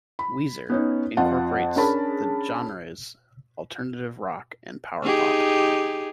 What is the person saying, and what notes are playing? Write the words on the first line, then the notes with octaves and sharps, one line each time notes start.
"Weezer" incorporates the genres alternative rock and power pop.
B5
B3 C#4 D#4
F2 F4 F#5 A5
C#4 D4 G#4 A#4 A5 B5
D#4 G4 G#4